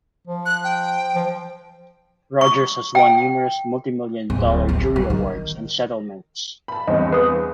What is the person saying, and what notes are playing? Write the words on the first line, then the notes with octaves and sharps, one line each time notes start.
Rogers has won numerous multimillion dollar jury awards and settlements.
F3
F#6
G5
F3
C#6
G5
D1
A1
F#3
D#3
A5 B5
E2 G2 C4 D#5
B4 D#6